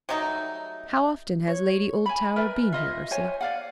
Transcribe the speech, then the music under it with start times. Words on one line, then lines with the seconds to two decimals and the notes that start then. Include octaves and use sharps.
"How often has Lady Oldtower been here, Ursula?"
0.09 F#3 G3 A3 D#4
1.48 C#5
2.06 G#5 B5
2.36 A#4 B4 D5 E5
2.72 F4 D#5 E5
3.11 C5 C#5 G#5
3.41 D5 F5 F#5